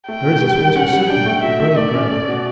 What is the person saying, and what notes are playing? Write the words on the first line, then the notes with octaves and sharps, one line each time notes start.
There is his horse, for certain--a brave grey!
A3 G5
B2
G3
G3
C#4 F#5
G3
D4 G5
A3
F#3 E5
A3
A3 D5
C#4
A3
B2